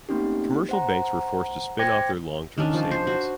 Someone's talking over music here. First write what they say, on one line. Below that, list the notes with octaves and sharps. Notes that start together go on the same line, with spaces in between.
Commercial banks were forced to spin off their long-term savings.
A3 A#3 C4 C#4 D#4 G4
C5 F#5 A#5
C5 G5 D6 G#6 A#6 C#7
D#3 C#4 D4
F3
C5
F#4